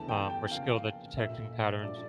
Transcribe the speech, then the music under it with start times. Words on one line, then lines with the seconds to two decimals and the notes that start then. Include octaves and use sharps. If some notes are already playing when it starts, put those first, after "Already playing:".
Um, we're skilled at detecting patterns,
Already playing: E2 D3 A3 A5
0.09 G5
0.30 G5
0.51 C#3 F3 A#3 F5
1.17 A#2 A3 E5
1.83 G2 F3 A3 D5